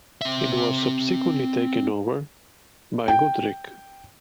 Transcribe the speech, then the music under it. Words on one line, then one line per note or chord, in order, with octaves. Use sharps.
It was subsequently taken over by Goodricke.
C4 E5
G5